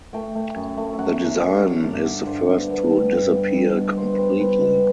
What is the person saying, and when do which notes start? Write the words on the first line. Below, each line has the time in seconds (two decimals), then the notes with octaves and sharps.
The design is the first to disappear completely.
0.13 A3 G5
0.35 A3
0.56 F#2
0.78 A3
0.93 E5
0.99 F#2 F#5
1.20 F#2
1.32 D5
1.41 F#2 E5
1.63 F#3
1.84 G2 D5
2.05 D3
2.26 G2 C5
2.47 B3
2.69 B3 D5
2.90 G3 E5
3.12 G2 F#5
3.33 G3 G5
3.54 G3 E5
3.76 B2 D5
3.97 B3 C5
4.14 G3 B4 C5
4.40 G3 B4
4.61 B2